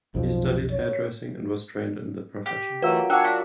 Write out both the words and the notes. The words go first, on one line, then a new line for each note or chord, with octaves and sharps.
He studied hairdressing and was trained in the profession.
B1 F2 F3
C#5
G4
E3 F#3 A3 F4 A#4 B4 E6
D4 C#5 F#5 G5 E6
F#4 E5